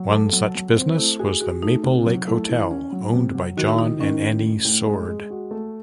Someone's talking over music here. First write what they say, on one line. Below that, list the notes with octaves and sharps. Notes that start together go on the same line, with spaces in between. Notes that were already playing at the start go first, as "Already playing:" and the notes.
One such business was the Maple Lake Hotel, owned by John and Annie Sword.
Already playing: F#3
A4
F#3
F#3
C4
A3 E4
F#4 G#4
F#4 G#4
A3 D#4
C3
F#3
A3 E4
E3
C#4
F#3
C3
F#3
D#3 F#4
E4
D#3 D#4
D#3 C#4
A2
A2
A2
G#3
G#3
F#4
A3